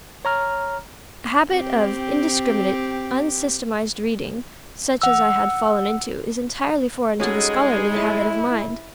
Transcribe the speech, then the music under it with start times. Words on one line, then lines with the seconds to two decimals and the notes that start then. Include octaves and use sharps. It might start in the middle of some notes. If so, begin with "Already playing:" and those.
A habit of indiscriminate, unsystematized reading, such as I had fallen into, is entirely foreign to the scholarly habit of mind.
0.25 C#5 A#5 F6
1.52 C4 G4
5.02 F#5 E6
7.20 G3 G#3 C#4 D#4 F#4 G#4 A4
7.92 E4 A4 C#5 A5